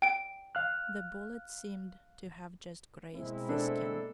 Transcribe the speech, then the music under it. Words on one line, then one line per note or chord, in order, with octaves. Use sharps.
The bullet seemed to have just grazed the skin.
G5 D7
F5 F6 F#6
B2 G#3 A#3 C4 E4
D4 A4